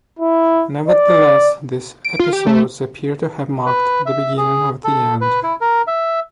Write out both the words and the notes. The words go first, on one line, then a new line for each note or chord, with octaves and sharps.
Nevertheless, these episodes appear to have marked the beginning of the end.
E4
D5
D7
F4
G4
A3
B4
E5
G#4
A4
B4
E4
A#4
E5